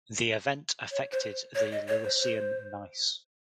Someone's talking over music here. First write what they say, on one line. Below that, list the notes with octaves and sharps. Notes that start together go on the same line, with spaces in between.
The event affected the Lewisian gneiss.
C#5
C5
C#5
D#5
C#5
C5
C5